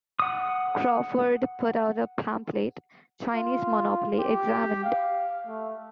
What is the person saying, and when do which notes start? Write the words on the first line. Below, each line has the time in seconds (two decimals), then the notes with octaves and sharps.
Crawfurd put out a pamphlet, "Chinese Monopoly Examined".
0.20 F#5 D#6
3.33 F4
4.18 G4
4.84 F5
5.47 A3